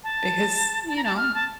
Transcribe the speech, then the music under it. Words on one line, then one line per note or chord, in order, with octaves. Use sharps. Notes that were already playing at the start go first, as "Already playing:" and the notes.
Because, you know,
A5
A5
A#5
A5
F6
A5